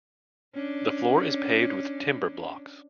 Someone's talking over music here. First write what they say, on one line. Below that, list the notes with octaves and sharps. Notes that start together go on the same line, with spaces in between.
The floor is paved with timber blocks.
C#4 D4